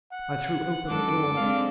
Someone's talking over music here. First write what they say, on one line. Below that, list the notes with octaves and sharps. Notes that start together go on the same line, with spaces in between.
I threw open the door.
F#5
F#2 D3 G#3 A4 D6
G#3 C4 D4 F5